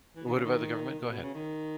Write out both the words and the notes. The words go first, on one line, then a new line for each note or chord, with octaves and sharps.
What about the government? Go ahead.
E3
D#3
C#3
D#3
A#2
B2
C#3
D#3